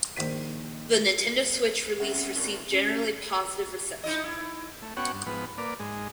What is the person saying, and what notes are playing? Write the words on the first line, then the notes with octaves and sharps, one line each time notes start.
The Nintendo Switch release received generally positive reception.
A#1 D#3 C5 B6 D#7
C4 C#4 A4 E5 F#5
C4 D4 D#4 F#4 A#4 B4
C#4
D#4 E4 D#5
E4
A3
B3 C#4 F#4 C#5 F#5 G5
G2
G#2 F3 B3 B4
A#3 B4 D5
G#2 G#3